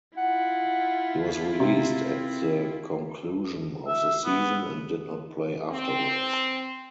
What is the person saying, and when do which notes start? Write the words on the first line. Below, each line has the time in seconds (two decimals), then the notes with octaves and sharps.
He was released at the conclusion of the season and did not play afterwards.
0.17 E4 F4 F#5
1.60 C3 C4
3.88 E5
4.25 B3
5.72 C4